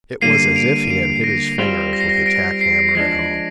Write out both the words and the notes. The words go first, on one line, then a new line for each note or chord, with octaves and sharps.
It was as if he had hit his fingers with a tack hammer at home.
D3 G3 A#3 C7 D#7
D7 F7
C7 D#7
C7
A#6 D7
G3 C4 F4
A#6
C7
A#6
A#6 D7
C7
C7
F3 G#3 D4 A#6